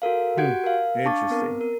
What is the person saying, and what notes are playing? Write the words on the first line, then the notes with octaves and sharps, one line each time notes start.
Hmm. Interesting.
F#4 A4 A#4 F5
F#4 G4 F#5 G6 G#6 D7
A#4 F5
D4 F5 A5 C#6 D6 A6
B3 C4 A#4
A#4